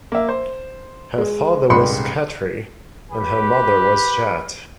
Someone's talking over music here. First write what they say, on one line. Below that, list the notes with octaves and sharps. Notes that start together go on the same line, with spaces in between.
Her father was Khatri, and her mother was Jatt.
A#3 E5
C5
G#3
D#1 C2 G#2 B5 C6 C#7
G4 B4